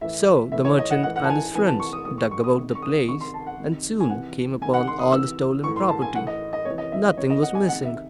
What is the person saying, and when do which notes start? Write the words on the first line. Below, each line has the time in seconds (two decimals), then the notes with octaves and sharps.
So the merchant and his friends dug about the place, and soon came upon all the stolen property. Nothing was missing.
0.01 A2 E3 E5
0.52 A2 E3 E5
0.65 C#5
0.79 D#5
0.90 F#5
1.03 A2 E3 F#5
1.16 F#5
1.24 A5
1.30 G#5
1.55 C3 E3 G#5
1.67 A5
1.80 C#6
1.93 D#6
2.05 A2 E3 D#6
2.18 C#6
2.31 C#6
2.44 D#6
2.57 C3 D#3
2.75 C#6
2.82 D#6
3.07 C3 D#3 C#6
3.21 C6
3.34 A5
3.47 F#5
3.60 C3 D#3
4.00 G#5
4.10 C3 E3 F#5
4.61 C3 G#5
4.65 D#3
4.74 F#5
4.88 C6
4.99 D#6
5.12 C3 E3 E6
5.64 A2 E3 C#6
5.76 C6
5.89 A5
6.02 G#5
6.15 E3 F#5
6.18 A2
6.27 D#5
6.53 D#5
6.65 C3 E3 C#5
6.78 D#5
6.92 E5
7.04 D#5
7.17 C3 E3 C#5
7.30 D#5
7.42 F#5
7.55 G#5
7.68 C3 F#5
7.73 D#3
7.85 E5